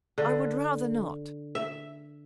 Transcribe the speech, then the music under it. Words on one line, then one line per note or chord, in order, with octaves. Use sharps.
I would rather not.'
D3
E5